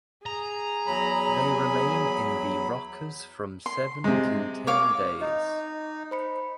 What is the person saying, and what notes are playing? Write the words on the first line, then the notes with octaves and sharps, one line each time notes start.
They remain in the rockers from seven to ten days.
G#4 A#5
E2 F#3 B5
C6
C3 G#3
C#5 F5 D6
D#4 D#5
C5 B5 C#7